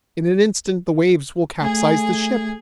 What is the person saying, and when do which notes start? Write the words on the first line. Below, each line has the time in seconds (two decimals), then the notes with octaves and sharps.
In an instant the waves will capsize the ship!
1.62 A3 G#4 G#5